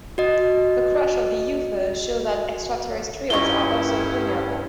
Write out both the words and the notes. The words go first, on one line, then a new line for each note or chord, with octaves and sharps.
The crash of the UFO shows that extraterrestrials are also vulnerable.
F#4 D#5
G2 C#4 E4 F4 A#5 C#6 G7